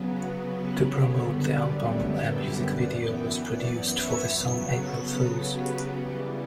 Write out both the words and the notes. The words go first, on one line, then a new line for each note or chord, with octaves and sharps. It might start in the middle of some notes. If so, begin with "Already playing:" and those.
To promote the album, a music video was produced for the song "April Fools".
Already playing: C#3 F#3 B3
G4 B4
F#2 D3 G3 B3 A4 C#5
B4 D5
C#5 E5
E5 G5
F#2 E3 B3 D5 F#5
E5 G5
D5 F#5
C#5 E5
C#3 F#3 B3
A4 C#5
A4 C#5
G4 B4
C#3 E3 G3 B3 G4